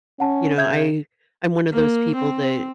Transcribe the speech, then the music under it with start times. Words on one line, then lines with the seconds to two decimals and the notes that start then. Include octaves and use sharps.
you know, I I'm one of those people that
0.20 C#4 F#5 A5
0.58 C#3 E5 G6 G#6
1.72 A#3
2.16 C4